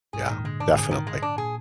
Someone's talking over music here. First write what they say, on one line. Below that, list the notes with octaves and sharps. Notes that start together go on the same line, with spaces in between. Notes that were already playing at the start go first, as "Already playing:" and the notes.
Yeah, definitely.
G#2 G#4
A#2 D#3
D3 G#3
G#2 D4
G#4
D#3
G#3
D4
A#2 G#4